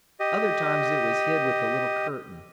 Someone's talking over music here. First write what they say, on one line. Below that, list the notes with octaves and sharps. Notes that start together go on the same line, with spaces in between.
Other times it was hid with a little curtain.
G4 D#5